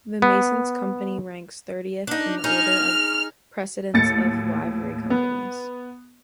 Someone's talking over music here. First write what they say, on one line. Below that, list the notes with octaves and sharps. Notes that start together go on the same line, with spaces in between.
The Masons' Company ranks thirtieth in the order of precedence of Livery Companies.
B3
D4 D#4
D#4 G#4 F6
D#2 A2 A6 C#7
B3